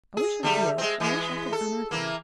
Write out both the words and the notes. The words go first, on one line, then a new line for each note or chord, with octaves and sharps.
I wish I did; I wish I could unearth him.
G#4
D3 G3 A3
G#3 C4
E3 G#3 B3
A4
E3 A#3